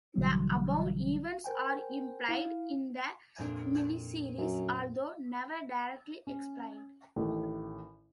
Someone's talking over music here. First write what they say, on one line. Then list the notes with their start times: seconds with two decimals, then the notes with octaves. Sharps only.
The above events are implied in the miniseries, although never directly explained.
0.16 A1 B2 D3 E3 F#3 G3
1.44 A#4 C5 G5 G#5
2.29 E4 F5
3.38 F2 A#2 D4
4.38 F#2
6.27 C#4
7.16 A1 A2 D#3